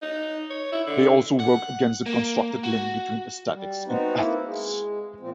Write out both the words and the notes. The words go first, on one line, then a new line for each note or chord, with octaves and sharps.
They also work against the constructed link between aesthetics and ethics.
D#4
C#5
E4
D3
F#5
A#3
F#4
G3
B3 C4 D#4 F#4
A#3 E4
G#3
A#2 F3 C4